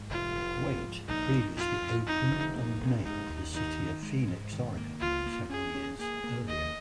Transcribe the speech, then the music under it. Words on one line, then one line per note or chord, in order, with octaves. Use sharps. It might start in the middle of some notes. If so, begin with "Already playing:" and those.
Wait previously opened, and named, the city of Phoenix, Oregon several years earlier.
Already playing: G#2
F1 F4
F1
F3
G#2
A#1 D#4
A#2
F2 F4
F2
F2 D#4
F1
A#3 D#4
F1
G#3 D#4
D#2
D#2 D#4
D#3
G#3
G#2
D#3
A#3
C#2 F4
A#3
C#4 G#4
C#4
A#3 G#4
A#3
D#2 D#5